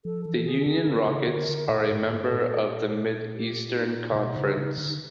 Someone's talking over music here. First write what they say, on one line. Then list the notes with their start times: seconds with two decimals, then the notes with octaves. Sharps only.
The Union Rockets are a member of the Mid-Eastern Conference.
0.05 F3 A4
0.26 E3 A4
0.45 D#3 G#4
0.66 D3 G#4
0.87 D3 A4
1.08 C#3
1.28 D3 A#4
1.49 D3
1.69 A#2 A4
1.90 G#2
2.31 A#2
3.34 G4
3.75 D#4
4.11 C3
4.16 B2
4.36 C#3
4.57 C#3
4.78 D3